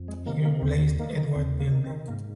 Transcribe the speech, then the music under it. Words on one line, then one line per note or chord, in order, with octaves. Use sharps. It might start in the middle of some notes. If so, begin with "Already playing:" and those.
He replaced Eduard Vilde.
Already playing: F2
G#3
C3 D#3 A#3
A#3
D#2 C4
D#3 A#3
D#2 C4
A#3
D#3
C4
G#2 A#3